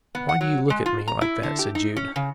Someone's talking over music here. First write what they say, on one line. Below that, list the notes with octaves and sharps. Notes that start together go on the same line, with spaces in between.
"Why do you look at me like that?" said Jude.
B3
F#5
F#3
G#3
F4
A#5
E4
D3
G4
D#4
C#4
C#3